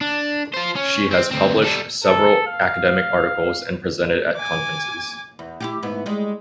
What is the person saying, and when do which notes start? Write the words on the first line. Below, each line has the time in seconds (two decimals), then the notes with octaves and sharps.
She has published several academic articles and presented at conferences.
0.01 D4
0.53 F4 C5
0.75 C#4
1.11 C4
1.31 D2 C4
1.62 G3 A4
2.04 A4
2.47 F5
4.35 G#5 D6
5.39 E2
5.61 E4 F4 G4
5.82 G#2 B3 E4
6.06 G3 G#3